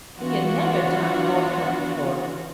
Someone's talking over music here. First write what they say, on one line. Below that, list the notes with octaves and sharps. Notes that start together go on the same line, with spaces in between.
He had never drunk vodka before.
E3 B3 D4 F4 F#4